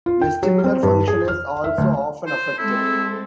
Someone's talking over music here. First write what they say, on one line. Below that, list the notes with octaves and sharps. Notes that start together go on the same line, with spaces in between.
Vestibular function is also often affected.
F4
G5
F#3
C4
G2
G#4
F6
E5
D2
C5
G#3 C4 E4 A4